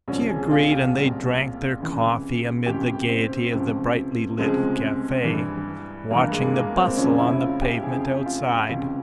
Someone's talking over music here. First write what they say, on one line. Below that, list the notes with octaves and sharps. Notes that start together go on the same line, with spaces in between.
She agreed and they drank their coffee amid the gaiety of the brightly-lit cafe, watching the bustle on the pavement outside.
C2 A#2 F3 C#4
G#4
F4
G4
C2 A#2 F3
C#2 C3 E3
C#2 C3 E3 G4
C4
C#2 C3 F3
C#2 C3 F3 G#3
G2 E3
G2 E3 A#3
G#3
A#3
C4
F2 C#3 F3 C#4
E4
F4
G4
F2 C#3 F3 G#4
F4
C#2 C3 E3 F4